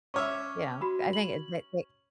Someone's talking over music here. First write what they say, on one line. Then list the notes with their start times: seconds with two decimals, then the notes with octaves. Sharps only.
you know. I think it it it
0.14 C#4 C#5 E5 C#6 D6 F6
0.82 F#4 B5
1.13 F#7